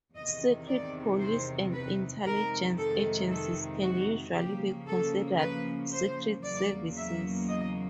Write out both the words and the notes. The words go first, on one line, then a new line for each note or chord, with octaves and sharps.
Secret police and intelligence agencies can usually be considered secret services.
E2 C3 D#3 D#5
D5
C5
B4
F2 C3 D#3 G#3 A#4
A4
A4
F#4
C#3 F3 A#3 C#4 G4
A4
B4
C5
E2 C#3 F#3 A#3 D5
E5
D#5